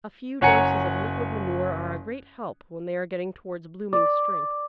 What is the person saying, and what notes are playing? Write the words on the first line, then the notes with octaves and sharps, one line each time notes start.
A few doses of liquid manure are a great help when they are getting towards blooming strength.
F#1 C#5 F#5 G#5 A#5 C#7
D5 D6